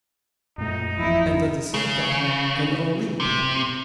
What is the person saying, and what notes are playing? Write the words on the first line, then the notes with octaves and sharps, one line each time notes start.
And at the same time an Olympian.
F#2 A#2 A3 D#4
G#1 F2 E3 E4
C#3
C3